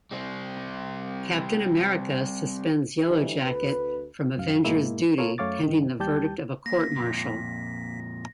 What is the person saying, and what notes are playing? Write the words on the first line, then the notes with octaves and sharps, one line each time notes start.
Captain America suspends Yellowjacket from Avengers duty pending the verdict of a court-martial.
G3 C4
D3 E3 F3 G3 D#4
D2 B4
C2 F#2 F5
G#2 B2 G#3 A#3 E4
F4 A4 A#4 C#5
F#2 A3 C#5 F5 D6 A6
G2 D#3
D#2 G3 G4 A5 G6
A#3 A#6 B6
F2 A#2